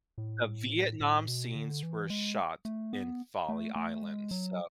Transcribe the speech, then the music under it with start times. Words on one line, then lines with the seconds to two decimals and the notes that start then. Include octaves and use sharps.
The Vietnam scenes were shot in Folly Island, so
0.18 A2
1.00 A2
1.28 B2
1.55 D3
1.83 E3
2.10 G#3
2.65 A3
2.93 B3
3.49 A3
3.76 A3
4.03 G#3
4.31 F#3